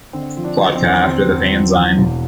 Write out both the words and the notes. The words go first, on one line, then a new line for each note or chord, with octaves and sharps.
Plokta' after the fanzine.
D3 C4
F3
D4
F3
C4
E2
D3 C4
E2
F3
E2
E1